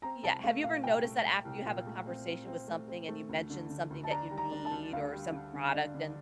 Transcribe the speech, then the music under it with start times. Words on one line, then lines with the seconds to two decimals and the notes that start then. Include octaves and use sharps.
yeah, have you ever noticed that after you have a conversation with something and you mention something that you need or some product and
0.02 C4 A#5
0.23 C2 A5
0.43 A3 F5
0.63 A#2 F5
0.84 C2 G5
1.04 A3
1.25 A3
1.45 C2
1.65 A#2
1.87 A3
2.06 C4
2.27 C4
2.47 C4
2.67 A3
2.88 C4
3.08 A3
3.29 D2
3.50 D3
3.70 D3
3.90 D2
4.03 A5
4.10 D4 A#5
4.31 G3
4.37 A#5
4.52 D4
4.65 A5
4.71 D2
4.93 D2 F5
5.13 G3
5.32 D3
5.53 D3
5.74 D4
5.94 D3